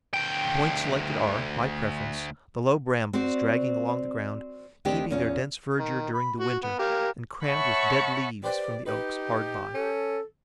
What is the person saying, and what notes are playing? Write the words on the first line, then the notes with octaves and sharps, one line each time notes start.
The points selected are, by preference, the low brambles dragging along the ground, keeping their dense verdure during the winter and crammed with dead leaves from the oaks hard by.
D2 G5
C4 F#4 C5 D5
D2 D#3 C4 D4 G4
E2 C#4 F4
D#3
B5
F#4
B3
G4 A#4 F5
C#5 E5 F#5 A5 B5 C#6
G4 B4 C5 D5 G5
D#4 G4 B4
C#4 A4